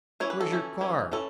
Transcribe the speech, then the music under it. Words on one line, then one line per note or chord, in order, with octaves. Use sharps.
Where's your car?
E3 C#4 E4 C#5
B4
A4
E3 C#4 E4
E3 C#4 E4
E3 C#4 E4 A4